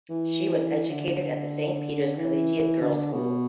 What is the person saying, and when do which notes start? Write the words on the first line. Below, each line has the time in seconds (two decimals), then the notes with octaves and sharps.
She was educated at the Saint Peter's Collegiate Girls' School.
0.09 E3
0.90 D3
2.17 E3
2.81 D3
3.13 B2